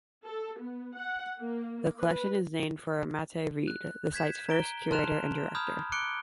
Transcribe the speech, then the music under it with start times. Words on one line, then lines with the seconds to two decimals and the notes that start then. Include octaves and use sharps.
The collection is named for Mattye Reed, the site's first curator and director.
0.24 A4
0.59 B3
0.96 F#5
1.39 A#3
1.99 B4
3.68 F#6
4.13 G6 G#6 B6 E7
4.49 A#5 D7 G7
4.91 A5 C6 F6 F#6 E7 F7
5.55 A#5 B5 D#6 F6 G6 G#6
5.92 D6 F#6 C#7 D7 G7